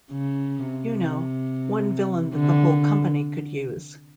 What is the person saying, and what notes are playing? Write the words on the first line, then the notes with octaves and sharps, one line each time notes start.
You know, one villain that the whole company could use.
C#3
C3
D3